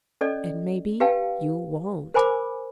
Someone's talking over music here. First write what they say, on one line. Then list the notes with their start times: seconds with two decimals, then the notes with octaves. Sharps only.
"And maybe you won't."
0.21 C#4 A4 D5 D#5
1.00 G4 B4 F5 G5 A5
2.14 A#4 C5 G#5 B5 D6